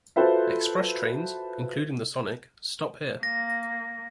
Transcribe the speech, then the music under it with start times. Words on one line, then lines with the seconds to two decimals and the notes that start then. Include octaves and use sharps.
Express trains, including the Sonic, stop here.
0.16 F4 F#4 A4 B4 C5 E5
3.23 A#3 A#6